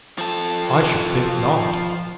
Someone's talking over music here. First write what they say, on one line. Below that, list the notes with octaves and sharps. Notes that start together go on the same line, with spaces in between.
"I should think not."
F3 A4